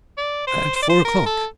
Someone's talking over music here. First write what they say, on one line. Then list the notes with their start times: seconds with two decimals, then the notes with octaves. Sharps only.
"At four o'clock."
0.18 D5
0.47 C5
0.76 C5
0.82 D5
0.90 C5
1.05 A#4
1.26 A4